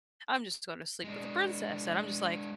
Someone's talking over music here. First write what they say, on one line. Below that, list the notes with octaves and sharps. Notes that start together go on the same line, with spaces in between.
"I'm just gonna sleep with the princess," and I'm just like,
G#3 D4